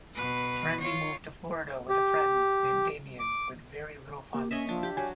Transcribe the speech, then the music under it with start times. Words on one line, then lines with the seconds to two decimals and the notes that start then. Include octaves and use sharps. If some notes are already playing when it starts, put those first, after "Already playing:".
Terenzi moved to Florida with a friend named Damion with very little funds.
0.15 B2 B4
0.81 F4 C#5
1.89 G4
3.19 D6
4.34 A#3 G4
4.51 C#4 C#5 D#5 E5
4.69 F3 D4
4.83 G4
4.97 F#3 C#5 G#5